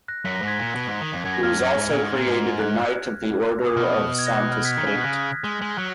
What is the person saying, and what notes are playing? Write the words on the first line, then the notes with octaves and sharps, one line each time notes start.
He was also created a knight of the Order of Saint Esprit.
F#6 A#6
F#2 B6
A#6
G#2
G#6 B6
A#2
B2
G#2
D#3
F2
F#2 G#6
A#6
F2 F6 G#6
F#2
G#2
A#2
G#2
A#2
G#2
F#6
D#6
B2 F6
D#6
G#6
F#6 A#6
F#6
F6
G#6 B6
D#3 G#6 B6
C#3
B2 B6
C#3 F#6 A#6
G#3
G#3
F#3 F#6